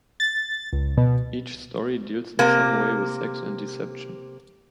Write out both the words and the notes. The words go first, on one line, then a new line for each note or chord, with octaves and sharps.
Each story deals in some way with sex and deception.
A6
C#2
B2
C3 A#3